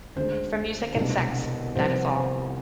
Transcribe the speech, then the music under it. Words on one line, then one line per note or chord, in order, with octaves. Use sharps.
For music and sex, that is all.
D2 D3 G#3 C5
C2 B2 G#3 D4
C2 C3 F3 B3 C5
C5